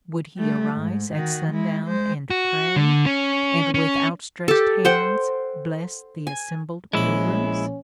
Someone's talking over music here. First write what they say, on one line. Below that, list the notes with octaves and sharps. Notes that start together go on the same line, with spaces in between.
Would he arise at sundown and pray, and with outstretched hands bless the assembled pilgrims?
G3 A3
G#2
D#3 F#4
G#3 E4
G#3 C5
F#4
D3
C#4
C#4
G4 A4
C5 F#5 G5
G#5
A#1 G#3 C#4 E4 B5